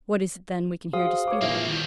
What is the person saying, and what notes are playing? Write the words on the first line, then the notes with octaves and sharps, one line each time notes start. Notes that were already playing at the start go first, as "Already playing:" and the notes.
What is it then we can here dispute about?
F#4 G#4 C5 F5 D#6
C#5 D6
A#2 E3 A#3 C4 E4 E5
F3
D#3 G3